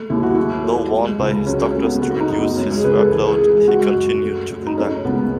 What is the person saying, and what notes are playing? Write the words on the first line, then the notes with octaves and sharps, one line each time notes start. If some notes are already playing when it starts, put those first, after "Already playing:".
Though warned by his doctors to reduce his workload, he continued to conduct.
Already playing: G#3 A3
D#2 E4
F#4
F#3 E4
A3
G#3
C#2
F#3 C#4
C#4
A3
B3
A3 F#4
D#4
F#2
B3
G#3 C#4
G#4
C#2 B4
A4
E3 G#4
G#4
G#3
G#4
G#3 F#4
F#2
A3
F#2
D#4
A3 C#4
C#2 B3